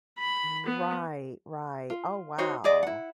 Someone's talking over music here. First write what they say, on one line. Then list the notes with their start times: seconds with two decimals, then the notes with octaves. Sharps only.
Right, right oh, wow.
0.19 B5
0.66 B3
1.90 F4
2.38 D#4 F#4 C5 C#5
2.64 G#4 D5 D#5
2.83 E4 F#5